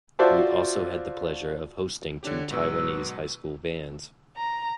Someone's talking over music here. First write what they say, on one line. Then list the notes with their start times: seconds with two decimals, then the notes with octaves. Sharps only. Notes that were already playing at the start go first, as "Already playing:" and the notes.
We also had the pleasure of hosting two Taiwanese High School bands.
0.19 F4 F#4 C5 D5 E5 A5
2.23 D3 D4 G4 C#5
2.51 G#2 B2 F#3 B4 E6
4.37 A#5